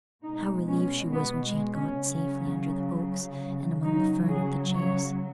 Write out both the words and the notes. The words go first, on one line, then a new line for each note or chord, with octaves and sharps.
How relieved she was when she had got safely under the oaks and among the fern of the Chase!
B2 G#3 D#4
C#4
B3
G#3
C#4
C#3 F#3 C#4
C#3 F#3 D#4
G#4
C#5